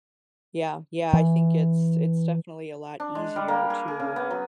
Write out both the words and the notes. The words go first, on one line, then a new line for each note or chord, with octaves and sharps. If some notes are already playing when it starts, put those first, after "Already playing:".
Yeah, yeah, I think it's it's definitely a lot easier to
E3
D4
G#3
G3
A#3
G#4
G#4
C#3
B3
F#3